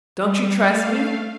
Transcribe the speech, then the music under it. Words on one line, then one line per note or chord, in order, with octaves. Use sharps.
Don't you trust me?
G3
A3 F5